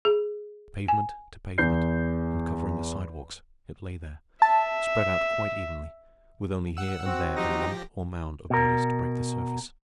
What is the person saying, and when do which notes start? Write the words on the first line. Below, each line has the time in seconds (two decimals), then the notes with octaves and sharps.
From pavement to pavement, and covering the sidewalks, it lay there, spread out quite evenly, with only here and there a lump or mound of bodies to break the surface.
0.05 G#4
0.88 G#5
1.58 E2 G6 C7
4.42 E5 A5
6.77 F#5 E6
7.05 C4 F#4
7.36 F3 D#4 G4 A#6
8.50 B2 A#4